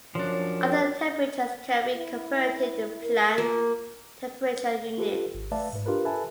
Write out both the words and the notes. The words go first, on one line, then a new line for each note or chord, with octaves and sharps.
Other temperatures can be converted to Planck temperature units.
F#2 F3 D4 C#5
E4
A#4
A#3 F4
F4 G4 A4 B4
G#1
A3 B4 D5 E5 F5 A5
G#2 B4
D4 F4 G4 A#4 B4
A4 B4 E5 G#5 A5 B5